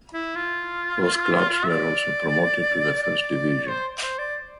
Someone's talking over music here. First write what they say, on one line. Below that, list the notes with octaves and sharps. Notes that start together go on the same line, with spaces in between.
Both clubs were also promoted to the First Division.
E4
F4
E5
D5
D5
C5
C5
D5